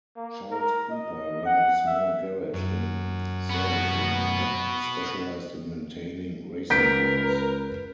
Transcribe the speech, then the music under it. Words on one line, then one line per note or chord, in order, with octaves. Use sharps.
Charles Cooper ran a small garage in Surbiton that specialised in maintaining racing cars.
A#3
A#4
D#5
F#5
E5
F#2
B3 F#4
C#2 A#4 B4 G6 B6 D7